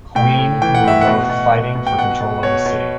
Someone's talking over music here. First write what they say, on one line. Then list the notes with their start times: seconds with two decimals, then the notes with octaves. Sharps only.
Queen who were both fighting for control of the city.
0.15 A2 G5
0.39 A2
0.62 E3 G5
0.75 F#5
0.84 A2 E5
1.01 F#5
1.07 B2
1.30 B2
1.52 B2
1.75 B2
1.87 G5
1.98 B2 F#5
2.21 B2
2.43 B2 C#5
2.66 B2